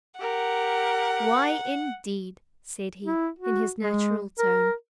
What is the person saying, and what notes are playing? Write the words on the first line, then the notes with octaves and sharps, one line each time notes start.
"Why, indeed!" said he, in his natural tone.
G4 A#4 F#5
E4
F#4
G#3
A#4